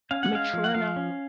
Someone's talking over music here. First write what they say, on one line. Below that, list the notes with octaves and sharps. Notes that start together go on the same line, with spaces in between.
mature enough
C#4 F5
F#5
G#3 F5
F3
F#5
F3 F5
C#4